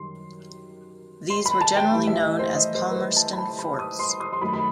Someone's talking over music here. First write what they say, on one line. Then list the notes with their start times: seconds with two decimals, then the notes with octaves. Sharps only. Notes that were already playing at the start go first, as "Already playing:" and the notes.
These were generally known as Palmerston Forts.
Already playing: F#2 D#3 G3 C6
1.30 C6
1.46 B5
1.61 A5
1.77 G5
1.92 A2 E3 G3
2.07 E5
2.23 D#5
2.39 C5
2.54 D#5
2.75 C5
2.91 B4
2.96 C5
3.16 A5
3.33 B5
3.38 A5
3.59 B5
3.79 D#6
3.99 C6
4.20 D#6
4.33 C6
4.41 F#2 D#3 F#3 A3 B5
4.53 B5